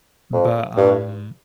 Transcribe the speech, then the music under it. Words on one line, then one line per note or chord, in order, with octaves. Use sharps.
But, um
F2
G2